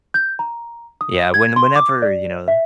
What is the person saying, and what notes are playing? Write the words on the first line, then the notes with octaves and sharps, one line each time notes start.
Yeah, when whenever, you know
G6
A#5
D#6
G#6
C6
D6
D5
E5